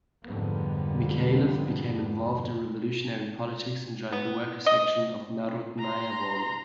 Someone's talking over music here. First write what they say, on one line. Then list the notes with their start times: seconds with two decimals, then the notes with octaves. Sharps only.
Mikhaylov became involved in revolutionary politics and joined the Workers' Section of Narodnaya Volya.
0.24 F2 G#2 D3 G3 A#3 B3
4.12 B3
4.66 D#5
5.79 A#5 C6